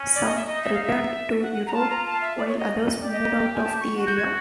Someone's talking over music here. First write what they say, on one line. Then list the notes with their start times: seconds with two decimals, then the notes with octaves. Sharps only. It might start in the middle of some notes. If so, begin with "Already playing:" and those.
Some returned to Europe while others moved out of the area.
Already playing: C#4
0.15 D5
0.25 D#5
0.36 E5
0.47 D#4 D#5
0.63 E5
0.74 F5
0.84 E5
1.42 F#5
1.53 F#5
1.67 A#5
1.73 F4 A5
1.90 A#5
2.06 A5
2.21 E5
2.37 D5
2.48 C#5
2.58 D#5
3.01 G4 D5
3.12 D#5
3.22 D#5
3.33 D#5
3.43 G5
3.54 G#5
3.64 A5
3.80 C#6
3.95 F#4
4.07 G6
4.17 G#6